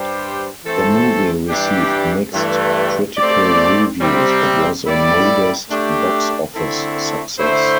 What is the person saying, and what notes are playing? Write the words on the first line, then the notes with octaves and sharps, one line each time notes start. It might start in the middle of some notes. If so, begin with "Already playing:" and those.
The movie received mixed critical reviews, but was a modest box office success.
Already playing: G2 G3 D4 G4 C5
E3 A3 C4 A4 C5
G2 E3 G3 D4 G4
G2 E3 A3
A3 C4 G4 D5
C3 G3 C4
A2 G3 E4 A4 D5
A3 D4 G4
D3 A3 C4 E4 A4
D3 A3 E4 C5